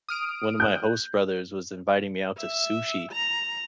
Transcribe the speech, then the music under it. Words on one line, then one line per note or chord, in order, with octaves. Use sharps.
one of my host brothers was inviting me out to sushi.
D#6 F6 D7
F#6 G6
E5
A#5